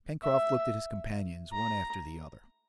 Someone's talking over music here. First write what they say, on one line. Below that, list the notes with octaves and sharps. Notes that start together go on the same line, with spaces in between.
Pencroft looked at his companions one after the other.
E5
A#5